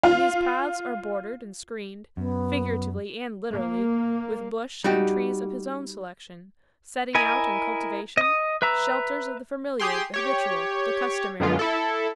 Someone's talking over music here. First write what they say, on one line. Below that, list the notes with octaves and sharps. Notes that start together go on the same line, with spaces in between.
And these paths are bordered and screened, figuratively and literally, with bush and trees of his own selection, setting out and cultivation--shelters of the familiar, the habitual, the customary.
F4 F5
F#2 B3
A#3
G3 D#4 F#4 G4
E4 A#4 D#5 G#5
D#5 D#6
B4 E5 A#5 E6
G4 G#4 G5 C6
G4 C#5
F#2 D3 G#3 B3 F4
E4 A4